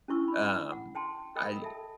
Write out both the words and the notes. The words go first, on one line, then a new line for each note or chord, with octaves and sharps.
Um, I
C#4 D4 E4 C5 C#6 E6
B5
F#5
C5 G5 A5 C6
A#4 D#5 G5 B5 D#6
A4 E5 A5